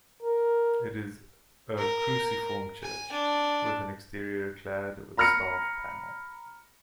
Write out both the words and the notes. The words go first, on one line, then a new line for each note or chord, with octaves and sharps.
It is a cruciform church, with an exterior clad with staff panel.
A#4
A#4
G#5
D4
A#5 B5 F6 A#6 C#7